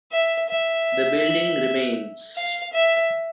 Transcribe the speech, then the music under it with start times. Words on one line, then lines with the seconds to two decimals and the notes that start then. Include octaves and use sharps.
The building remains.
0.12 E5
0.49 E5
2.36 F5
2.73 E5